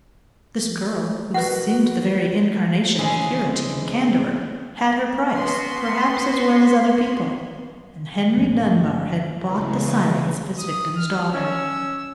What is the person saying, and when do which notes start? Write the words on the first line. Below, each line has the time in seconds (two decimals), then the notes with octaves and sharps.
This girl, who seemed the very incarnation of purity and candour, had her price, perhaps, as well as other people, and Henry Dunbar had bought the silence of his victim's daughter.
1.34 F#4 A#4 B4 F#5
2.98 C#3 E3 F3 G#3 G#4
5.35 B3 F#4 C6
8.37 D1 G#1 F3
8.61 G1
9.37 C#3 E3 G#3
10.58 D#6
10.96 F6
11.33 C#4 E6